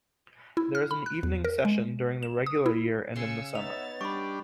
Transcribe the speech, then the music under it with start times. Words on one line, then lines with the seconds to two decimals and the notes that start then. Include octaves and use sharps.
There is an evening session during the regular year and in the summer.
0.57 E4
0.75 F6
0.91 B5
1.06 F#6
1.23 E2
1.45 A#4
1.65 G#3
2.23 E7
2.46 D#6
2.66 E4
3.16 C#3 G#5 C6 E6 C#7
3.55 B3 D#4 C#5 E5 A6 F7
4.01 G3 D4 B5 C#6